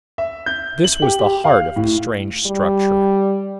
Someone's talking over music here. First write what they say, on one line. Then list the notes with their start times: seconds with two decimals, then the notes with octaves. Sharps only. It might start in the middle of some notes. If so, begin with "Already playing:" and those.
This was the heart of the strange structure.
0.18 E5
0.46 G6
0.84 F#7
1.02 G4
1.20 G4
1.44 F5
1.76 A2
2.46 G3